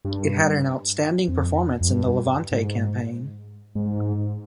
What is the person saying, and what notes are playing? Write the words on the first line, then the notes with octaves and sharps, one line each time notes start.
It had an outstanding performance in the Levante campaign.
G2
F2
F2
G2
G#2
G#2